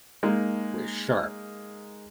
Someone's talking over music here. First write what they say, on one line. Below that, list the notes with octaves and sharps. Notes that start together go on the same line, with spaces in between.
very sharp.
G#3 A#3 D#4